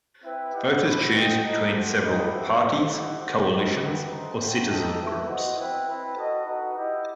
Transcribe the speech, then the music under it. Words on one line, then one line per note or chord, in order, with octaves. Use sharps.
Voters choose between several Parties, Coalitions or Citizen Groups.
C4 E4 B4 E5 G5
E4 G4 D#5 F#5
A3 C4 F#4 B4
F#4 C5 D#5 G5
D#4 A4 D#5
B3 E4 G4 C5
B3 D#4 G4 B4 D#5
C4 F#4 C5 E5 G5
E4 A4 C5 D#5 F#5
E4 G4 D#5 F#5
F#4 C5 F#5
C4 D#4 G4 B4 D#5
C4 F#4 B4 E5
D#4 A4 C5
F#4 C5 E5 G5
D#4 A4 D#5 G5
E4 B4 E5
B3 F#4 C5 D#5
C4 E4 B4 E5 G5
C4 E4 B4
F#4 A4 D#5
D#4 F#4 B4 D#5
E4 G4 D#5 F#5